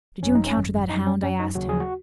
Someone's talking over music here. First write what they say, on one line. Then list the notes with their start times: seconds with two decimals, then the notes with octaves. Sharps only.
'Did you encounter that hound?' I asked him.
0.22 G#1 F#2 F#3 C#4
0.35 D#4
0.46 C#4
0.56 G#1 F#2 F#3
0.89 F#2 D#4
0.93 F#3
1.07 C#4
1.23 F#2 F#3 C#4
1.40 D#4
1.55 D#2 C#3 F#3 F#4
1.69 G#4
1.80 F#4